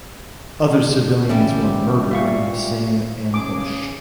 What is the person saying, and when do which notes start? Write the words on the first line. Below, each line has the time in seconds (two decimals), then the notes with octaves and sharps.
Other civilians were murdered in the same ambush.
1.29 A#1 D3 E3 G3 C#4 E4 G4
2.11 A#2 E5 F5 C#6
3.34 C#3 G#4 D6